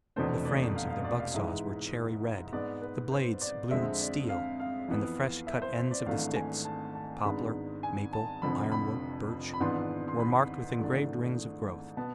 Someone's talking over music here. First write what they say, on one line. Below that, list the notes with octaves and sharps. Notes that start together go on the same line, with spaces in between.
The frames of their buck-saws were cherry-red, the blades blued steel, and the fresh cut ends of the sticks--poplar, maple, iron-wood, birch--were marked with engraved rings of growth.
F1 E2 B2 A3 D4 C5
D5
F5
F5
D5
F5
G#2 E3 G#3 E5
G#2 G#3 B3 D5
B4
C5
D5
F2 D3 G#3 C4 E5
D5
F5
F5
F2 E3 B3
E5
C5
C5
D5
G#1 G#2 E3 A3 D4 F5
G#5
A5
A5
G#1 G#2 G#3 B3 D4 B5
G#5
A5
F1 F2 D3 F3 B5
B5
B5
G#1 G#2 E3 B3 D4 C6
C6
B5
G#1 G#2 E3 A3 D4
B2 B3 A5